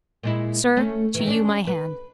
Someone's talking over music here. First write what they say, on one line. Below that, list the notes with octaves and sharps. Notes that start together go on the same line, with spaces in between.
Sir, to you my hand.
A#2 G#3 E4
A3 C#4
D#3 E3
C#4 D4
B4